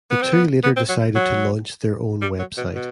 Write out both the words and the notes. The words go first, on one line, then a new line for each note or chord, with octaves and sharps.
The two later decided to launch their own website.
B3
C4
B3
B3
C4
F#3
F#3
G3
F#3
B2
B2